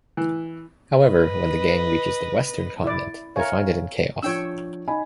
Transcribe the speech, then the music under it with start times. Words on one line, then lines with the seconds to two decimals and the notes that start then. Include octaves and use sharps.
However, when the gang reaches the western continent, they find it in chaos.
0.17 E3
1.01 B4 D#5
2.84 E4 D5
3.36 A#4 C#5 E5 F5 G#5
4.23 F3 D4 C#5 G5 E6
4.88 D#4 G#5 B5